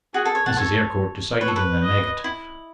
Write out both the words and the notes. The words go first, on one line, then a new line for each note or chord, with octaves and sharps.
Mrs. Eyrecourt decided in the negative.
F#4 G#4
A4
C#5
F#5 A5
A4 C#5
B4 C#5
A4
B4
D#5
E4